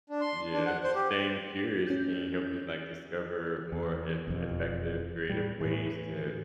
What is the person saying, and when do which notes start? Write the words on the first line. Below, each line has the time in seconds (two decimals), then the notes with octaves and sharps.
Yep, staying curious can help you, like, discover more eff effective, creative ways to
0.10 D4
0.21 C6
0.53 D4
0.66 F#5
0.83 C5
0.95 G4
1.87 C#4 G6
3.72 E2
4.27 E1 F2
5.30 A2 G3
5.61 A2 E3